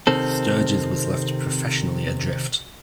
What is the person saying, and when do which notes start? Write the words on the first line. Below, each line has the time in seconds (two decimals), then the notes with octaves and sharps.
Sturges was left professionally adrift.
0.07 C3 D#3 C4 A4